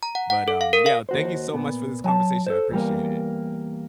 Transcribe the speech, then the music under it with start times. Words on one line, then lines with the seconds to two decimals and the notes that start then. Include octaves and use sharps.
but um, yeah, thank you so much for this conversation, I appreciate it.
0.03 A#5
0.15 F#5
0.30 F#5
0.48 A4
0.61 F5
0.73 A#4
0.86 F5
1.09 D#2 F#4 C5
1.53 A#2 B3
2.04 F#3 G#5 A5
2.47 A4 C5
2.71 E2 G3 A#3